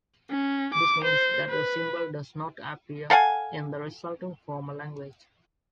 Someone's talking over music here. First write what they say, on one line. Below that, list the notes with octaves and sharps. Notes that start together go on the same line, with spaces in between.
This means that the symbol does not appear in the resulting formal language.
C#4
D6
C5
B4
A4 F5 F#5 G#5